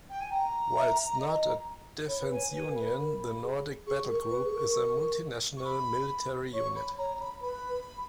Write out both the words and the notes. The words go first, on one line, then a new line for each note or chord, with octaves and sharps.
Whilst not a defence union, the Nordic Battlegroup is a multi-national military unit.
G5
G#5
G5 A#5
E5
D#5
C#5 B5
B4
G#5
C#5
B4 G#5
A#4
B5
B4
A#4
G#4
G#4 C#6
A#4 C#6
B4
G#4
A#4
C#6
B5
C#5 C#6
B5
C#5 A#5
B5
B4 B5